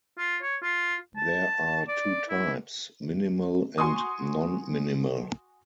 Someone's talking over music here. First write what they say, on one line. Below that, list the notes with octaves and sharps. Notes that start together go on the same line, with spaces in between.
There are two types: minimal and non-minimal.
F4
C#5
F4
A5
D5
E4
F#4 G#5 C6 C#6 D#6